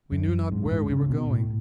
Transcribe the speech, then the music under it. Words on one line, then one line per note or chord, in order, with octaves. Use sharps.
We knew not where we were going.
F#2
G#2
A2
G#2
C#3
B2
A2